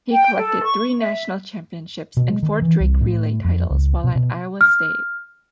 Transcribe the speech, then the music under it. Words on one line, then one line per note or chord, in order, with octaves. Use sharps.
He collected three national championships and four Drake Relay titles while at Iowa State.
G5
A4
C#6
E5
B2
G#3
D#3
E3
C2
A2
F2
C#2
B2
B2
F6